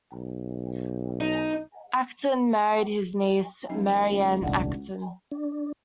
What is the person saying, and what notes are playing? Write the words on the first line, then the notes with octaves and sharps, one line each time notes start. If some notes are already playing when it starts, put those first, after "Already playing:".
Acton married his niece Mary Anne Acton.
B1
D#4
D#2 F#3 C#4 D#4
C#2
D#1 C2 D4 E4 F5 F#5
D4